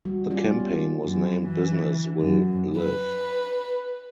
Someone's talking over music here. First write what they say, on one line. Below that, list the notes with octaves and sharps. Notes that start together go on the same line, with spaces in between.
The campaign was named Business will Live.
G3 F#4
G3 C#4 F4 D5
B3 G4
F#2
E3
F#2
B4